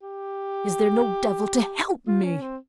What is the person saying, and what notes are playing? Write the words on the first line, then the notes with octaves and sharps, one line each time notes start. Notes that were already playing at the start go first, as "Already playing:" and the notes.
Is there no devil to help me?'
G4
F4
C#4
C4